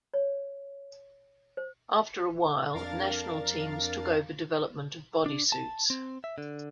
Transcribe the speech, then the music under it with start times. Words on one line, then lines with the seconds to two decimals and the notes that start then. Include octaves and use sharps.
After a while, national teams took over development of "body suits".
0.14 C#5
1.57 C5
2.72 F2 D4 A#4 F5 A6
5.26 D4
5.52 A5
5.90 C4
6.24 E5
6.38 D3